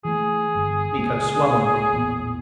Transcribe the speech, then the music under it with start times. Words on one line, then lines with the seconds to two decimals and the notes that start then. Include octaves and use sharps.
Miko swung on me.
0.05 E3 A3 G#4
0.55 G1
0.97 C#2 A#3
1.93 A1 E2 A#2